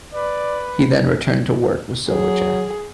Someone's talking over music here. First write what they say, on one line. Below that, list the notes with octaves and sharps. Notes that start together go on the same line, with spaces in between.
He then returned to work with Silverchair.
B4 D5
F#3 G#4